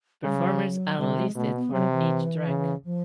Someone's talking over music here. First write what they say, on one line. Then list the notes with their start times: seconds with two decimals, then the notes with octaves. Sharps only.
Performers are listed for each track.
0.23 C#3 G3
0.37 F#3
0.51 F3
0.64 F#3
0.98 C3 G3
1.17 G#3
1.35 B2 A3
1.55 B3
1.72 C3 F#3
1.91 E3
2.48 C#3
2.85 F3